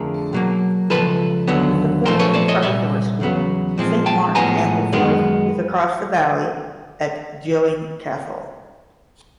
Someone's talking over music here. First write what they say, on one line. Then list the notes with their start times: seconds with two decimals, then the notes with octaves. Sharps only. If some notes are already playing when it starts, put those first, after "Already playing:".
Its affiliated preparatory school, Saint Martin's Ampleforth, is across the valley at Gilling Castle.
Already playing: F2 D3 F3 A3 G#4 A#4
0.33 B2 F#3 A#3
0.90 C#2 C3 F3 A4 B4
1.48 D#2 D3 F#3 B3
2.05 A#2 F3 A3 A#4 C5
2.19 B4 C#5
2.34 C5 D5
2.48 C#5 D#5
2.62 C2 A#2 G3 D5 E5
3.20 E2 C#3 F#3 B3
3.78 A#2 F3 G#3 C4
4.06 G5 A5
4.35 A2 F3 G#3 B3 G#5 A#5
4.92 F#2 D#3 G#3 B3